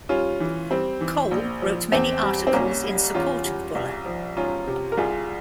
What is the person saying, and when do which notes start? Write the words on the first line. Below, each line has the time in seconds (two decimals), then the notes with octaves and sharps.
Cole wrote many articles in support of Buller.
0.09 G3 C#4 F4
0.40 E3
0.70 G3 C4
1.01 E3
1.31 A#1
1.62 F3
1.92 E2 C4
2.23 G3
2.47 C4
2.53 C2 A#3 C#4
2.83 G3
3.15 E2 C#4 F4
3.45 G3
3.75 C2
4.06 F3
4.36 E1 C#4 F4
4.67 C3
4.92 A#4
4.97 C2 F4 G#4